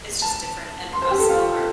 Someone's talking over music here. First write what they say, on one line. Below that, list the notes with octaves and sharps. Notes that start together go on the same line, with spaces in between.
it's just different and a smaller
A5
C6
C5
G4
A4
F4